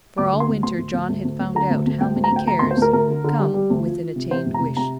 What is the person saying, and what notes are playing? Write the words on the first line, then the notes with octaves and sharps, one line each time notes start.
For, all winter, John had found out how many cares come with an attained wish.
D2 D6
D3
C6
D2
D2 C6
D2
D2
D2
D2
D2
D3 A#5
D2
D2
D2 G5
D2
A#5
D2 G5
D2 A#5
C6
D2
C5
D2 A#4
D2 A#4
D3
D3
G3
G3
D2
F3
F3
C3
C3 C5
F1
A#5
C3
C3 A#5